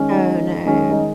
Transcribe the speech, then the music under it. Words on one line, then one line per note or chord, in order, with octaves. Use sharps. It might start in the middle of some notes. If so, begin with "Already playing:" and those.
Oh, no.
Already playing: D#3 G#3 C#4
D#4
D#3 G#3 C#4
D#4